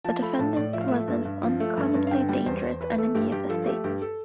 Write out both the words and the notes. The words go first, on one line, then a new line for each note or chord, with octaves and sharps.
The defendant was an uncommonly dangerous enemy of the state.
F3 A5
A3 B5
A2 A5
A2 D5
F3 E5
F5
A3 E5
G2
G2
F3
A3
G2
G2
F5
D3 G5
G3 G5
E2 C5
E2 C5
E3 B4
A3 A4
G2 G4
G2 G4
F3 A4
A3 G4
G2 G4
A4